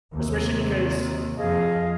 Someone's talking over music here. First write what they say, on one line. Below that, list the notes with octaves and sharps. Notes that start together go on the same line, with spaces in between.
especially because,
D#2 C3
F2 G#4 D#5 F5